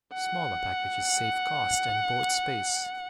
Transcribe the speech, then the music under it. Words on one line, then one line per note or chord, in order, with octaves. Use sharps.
Smaller packages save cost and board space.
F#5